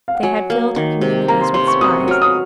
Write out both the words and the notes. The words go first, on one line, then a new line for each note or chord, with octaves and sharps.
They had filled our communities with spies.
F5
F#5
F#3 G#5
A#3
D#3
C3
A#3 A#5
C6
C3 C6
C#6
F#4 D#6
F#3 F6
D#6